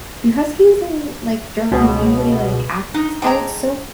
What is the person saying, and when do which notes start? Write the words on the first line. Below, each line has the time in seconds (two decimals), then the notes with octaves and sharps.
do Huskies and, like, Germans usually, like, act like this?" and it's so funny
1.72 C#2 B2
2.94 D#4
3.22 D3 G#3 G5 A#5